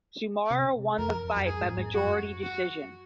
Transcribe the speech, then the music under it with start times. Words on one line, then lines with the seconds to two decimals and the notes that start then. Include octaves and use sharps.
Tsumura won the fight by majority decision.
0.51 C3
0.98 F2 A#4
1.36 F#2
1.46 F2 G#4
1.62 G#2
1.78 G#2
1.94 F#2 F#4
2.43 F#4